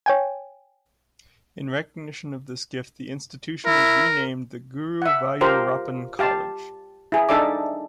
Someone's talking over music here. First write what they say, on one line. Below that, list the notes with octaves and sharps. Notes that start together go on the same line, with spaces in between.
In recognition of this gift, the institution was renamed "The Guruvayurappan College".
C#5 G5 G#5
E4 A#4
E5 F#5
F4 G4 A#4 C5
G4 F5 A5
E4 G#4
D4 D#4 A4 D5 E5 D6